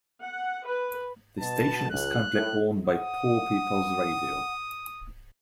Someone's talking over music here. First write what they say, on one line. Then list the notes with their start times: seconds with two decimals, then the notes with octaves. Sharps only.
The station is currently owned by Poor People's Radio.
0.22 F#5
0.66 B4
1.40 B2 A5
1.91 C#2 F#6
2.34 A2
2.86 F#5 D#6